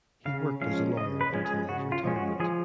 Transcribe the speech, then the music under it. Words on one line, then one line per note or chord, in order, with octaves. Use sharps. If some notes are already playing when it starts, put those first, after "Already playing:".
He worked as a lawyer until his retirement.
C#3 F5
F3 G#3 C#4 F5
C#3 D#5
B4
F3 G#3 C#4
G#4
C#3 F#4
F4
F3 G#3 C#4
F#4
F3 G#4